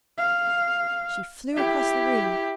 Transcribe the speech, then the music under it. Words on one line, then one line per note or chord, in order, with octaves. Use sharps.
She flew across the room.
F5
E4 G4